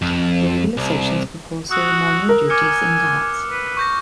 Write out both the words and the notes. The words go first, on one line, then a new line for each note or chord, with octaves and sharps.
The regular sections perform ceremonial duties and guards.
F2
C2
F#4 D#6 E6 F#6
A#4
G#5 D6 F6 C#7
B4
C#6 G6 A#6